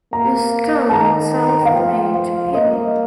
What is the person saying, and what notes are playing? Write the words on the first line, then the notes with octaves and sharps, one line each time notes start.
The stone itself remained hidden.
A#3 A#5
A5
D#3 A#5
F5
F3 G5
F5
A#3 D#5